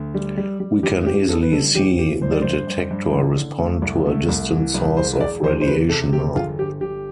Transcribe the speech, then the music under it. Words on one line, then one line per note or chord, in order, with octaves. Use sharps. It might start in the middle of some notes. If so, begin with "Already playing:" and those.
We can easily see the detector respond to a distant source of radiation now.
Already playing: D2
G3
G3
G3
A1 G4
E3 G4
A1 A4
B4
G3 A4
A1 G4
E3 G4
G2 C5
D5
G2 C5
G2
G2
A1
D3
A3
C2
A3
C2
E3
C2
E1 C5
E1 D5
E2 C5
C5
E1 B4
C3 A4
E1 G4
G1 F4
G1 G4
G1 G4